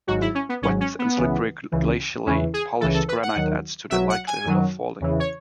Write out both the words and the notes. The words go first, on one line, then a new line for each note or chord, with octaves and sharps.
Wet and slippery glacially polished granite adds to the likelihood of falling.
G#1 G#2 F#3 F#4
E4
C#4
B3
G#1 G#2 F#3 C#4
C#4
B3
C#2 C#3 E3
C#2 C#3 E3
E2 C#3 E3 C#4
G#4
C#2 C#3 E3 A4
A4
B4
F#5
D#2 D#3 F#3
B1 B2 F#3 E5
F#5
G#5
F#2 D#3 F#3
E2 C#3 E3
C#5